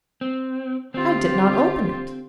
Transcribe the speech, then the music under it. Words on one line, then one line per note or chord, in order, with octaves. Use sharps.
I did not open it.
C4
D3 C4 F4 G4